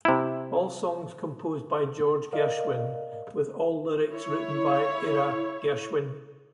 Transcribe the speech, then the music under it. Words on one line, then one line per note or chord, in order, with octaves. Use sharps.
All songs composed by George Gershwin, with all lyrics written by Ira Gershwin.
C3 E4
A#4 D5 D#5 F5
E4 C#5